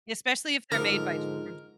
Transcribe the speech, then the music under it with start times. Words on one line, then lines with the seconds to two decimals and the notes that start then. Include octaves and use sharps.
especially if they're made by J from J
0.72 G#2 D3 F3 A#4